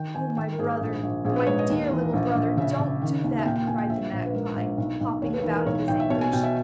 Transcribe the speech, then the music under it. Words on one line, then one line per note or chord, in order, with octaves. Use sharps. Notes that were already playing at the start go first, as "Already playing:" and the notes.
'Oh, my brother, my dear little brother, don't do that,' cried the magpie, hopping about in his anguish.
Already playing: D#3 G5
D#3 G#5
D#3 G5
A#4
G#1 G#4
A#1
A#1
A#1 G#4
B4
G#2 C#5
D#5
D#2
E3
A#1
A#1
C#3 E5
C#3
D#3
D#2
E5
A#2 G5
G5
A#2 G#5
G5
A#1 E5
A#1
B4
G#2 A#4
A#1
B1
B1
D#2 C#5
B4
E3 A#4
A#4
B1 C#5
B1 G5
E5
B2 C#5
G#5
B2 G5
E5